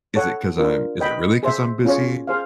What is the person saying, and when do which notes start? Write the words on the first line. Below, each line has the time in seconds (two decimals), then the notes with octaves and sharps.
is it 'cause I'm is it really 'cause I'm busy,
0.15 A4 C#5 F#5
0.58 D4 F4 A#4
1.00 B4 D#5 G5 B5
1.43 G#4 C5 E5
1.85 C#4 F4 G#4 C#5
2.27 G#4 C5 F5